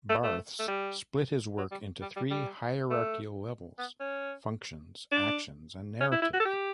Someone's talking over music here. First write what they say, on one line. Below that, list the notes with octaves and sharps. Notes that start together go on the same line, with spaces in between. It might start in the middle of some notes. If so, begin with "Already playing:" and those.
Barthes split this work into three hierarchical levels: 'functions', 'actions' and 'narrative'.
A3
A3
A3
G3
F#3
G3
G3
G3
G3
A3
B3
C#4
D4
C#4
E4
E4
F#4
A4
G4